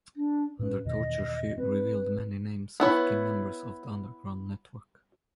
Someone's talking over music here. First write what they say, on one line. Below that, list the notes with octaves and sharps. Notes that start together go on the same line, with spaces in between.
Under torture she revealed many names of key members of the underground network.
D4
A2 C#4 B4
E2 B2 D#3 D#5
C4 B4
B3 E4 C#5